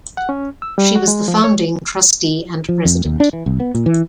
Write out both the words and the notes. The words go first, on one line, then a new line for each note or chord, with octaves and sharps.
She was the founding trustee and president.
F#5
C#4
E6
G3
F#4
G#3
F3
C#5
F3
F2
D#2
D4
E3
C2
B3
A#2
E3